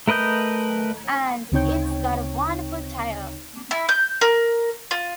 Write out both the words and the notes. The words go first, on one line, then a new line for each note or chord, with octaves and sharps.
And it's got a wonderful title.
A3 A#4 B4 D#5 G6
D2 C#3 C4 D#4 C#5 G5
E4
G6
A#4
F4